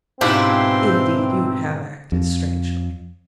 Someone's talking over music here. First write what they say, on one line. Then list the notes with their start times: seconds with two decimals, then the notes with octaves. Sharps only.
Indeed, you have acted strangely.
0.21 G#2 B2 C4 D4 E4 F4 G4 C5
2.12 F2